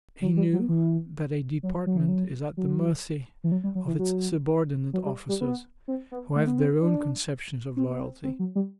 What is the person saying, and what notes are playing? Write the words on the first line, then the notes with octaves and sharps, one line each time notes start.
He knew that a department is at the mercy of its subordinate officers, who have their own conceptions of loyalty.
F#3
G3
F#3
E3
F#3
F#3
E3
F#3
F#3
E3
F#3
G3
F#3
E3
F#3
F#3
G3
G3
B3
C4
B3
A3
B3
C4
D4
C4
B3
C4
C4
F#3
G3